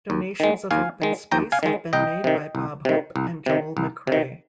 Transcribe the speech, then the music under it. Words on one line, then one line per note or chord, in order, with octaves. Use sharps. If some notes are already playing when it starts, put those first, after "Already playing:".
Donations of open space have been made by Bob Hope and Joel McCrea.
D#2
D#3 G#3
D#2 F5 G#5
D#3 G#3
D#2 G5 A#5
F5 G#5
D#3 G#3
C2 D#5 G5
C3 D#3
C2
C3 D#3
C2
C3 D#3
C2
C3 D#3